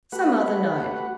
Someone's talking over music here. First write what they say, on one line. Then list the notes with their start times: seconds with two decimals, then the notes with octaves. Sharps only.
"Some other night."
0.12 A3 F#4 G4 B4 F#5